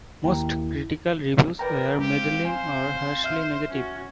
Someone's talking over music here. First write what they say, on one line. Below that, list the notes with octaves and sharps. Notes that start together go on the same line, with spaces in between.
Most critical reviews were middling or harshly negative.
D#2 E4 G5 A#5
A#4 B4 D5 G5 A#5
G#3 C4 G4 F5
C5 G#5
E5 F6
C#4 F#4